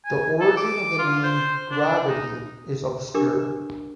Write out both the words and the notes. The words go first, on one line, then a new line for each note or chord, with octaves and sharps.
The origin of the name "Gravity" is obscure.
G#5
A4
D6
F4
C5
D4
D#4
D4 G4 A#4 D6